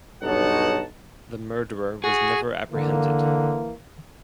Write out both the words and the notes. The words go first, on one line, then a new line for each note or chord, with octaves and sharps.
The murderer was never apprehended.
B1 G2 D#4 C#5 F#5 A5
F#4 G#4
D3 E3 A#3